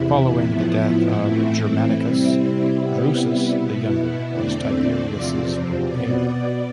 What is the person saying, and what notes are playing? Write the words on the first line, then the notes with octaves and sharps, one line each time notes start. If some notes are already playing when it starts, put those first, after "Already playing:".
Following the death of Germanicus, Drusus the Younger was Tiberius' new heir.
Already playing: E2 C3 E3 E4
A2 F3 B3
A2 E3 A3 C4
C3 G3 C4 E4
C3 G3 B3 E4
B2 B3
E2 D3 A3 C4 D5
E2 C3 F3 C4 D5
B2 B3 D5